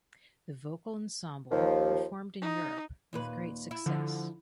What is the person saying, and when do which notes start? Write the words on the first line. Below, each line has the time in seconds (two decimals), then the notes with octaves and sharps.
The vocal ensemble performed in Europe with great success.
1.51 D#2 F3
2.42 D#4
3.13 D#2 A#2 B4
3.71 E4
3.86 D3 F3